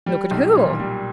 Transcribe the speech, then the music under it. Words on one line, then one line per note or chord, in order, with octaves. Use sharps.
"Look at who?"
G3
B1
A#2
G3